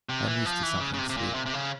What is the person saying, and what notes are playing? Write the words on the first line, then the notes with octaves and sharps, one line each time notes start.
I am used to something sweet.
C3
E3
F3
E3
C#3
C#3
C3
C3
A#2
C3
C3
C#3